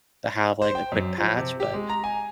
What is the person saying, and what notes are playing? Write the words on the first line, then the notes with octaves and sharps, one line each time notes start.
have, like, a quick patch, but
C5
G5
F#2
F3
C3
G4
G#3
A#5
G#5